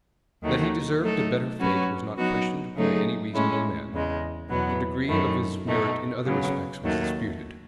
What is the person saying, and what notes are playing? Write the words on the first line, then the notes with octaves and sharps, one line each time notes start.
That he deserved a better fate was not questioned by any reasonable man: the degree of his merit in other respects was disputed.
D#2 D#3 F#3 A3 D#4
F#3 A3 D#4 A4
F#3 C#4 F#4 B4
F#3 B3 D#4 F#4
C#3 F#3 A3 D#4 G#4
A2 G#3 C#4 E4
E2 C#3 G#3
E2 B2 F#3 B3
F#2 D#3 A3 E4
B2 A3 D#4
C#3 F#3 B3
D#2 D#3 F#3 A3